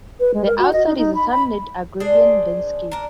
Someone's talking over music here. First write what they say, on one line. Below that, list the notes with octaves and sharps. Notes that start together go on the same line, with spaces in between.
The outside is a sunlit agrarian landscape.
B4
G#3
A#4
F#4
D#5
D#4
D#4
B5
B5
D4 G#4 C5 D5
D4 A#4